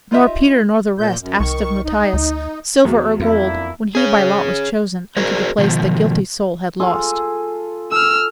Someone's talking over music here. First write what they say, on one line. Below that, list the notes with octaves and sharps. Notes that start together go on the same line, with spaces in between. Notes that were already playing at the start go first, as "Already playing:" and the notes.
Nor Peter nor the rest asked of Matthias Silver or gold, when he by lot was chosen Unto the place the guilty soul had lost.
D#4 F4 G4 D#5 E5
A#2 G6
F#2
C2 D#3 C#6
D#4
D2
E2 F#3
F2 A#3 D4 E4
G#4 C#5
F#4 G#4 A#4 C5 D5
B2 D#3 F3
F4 G#4 A4
A4 E6 F6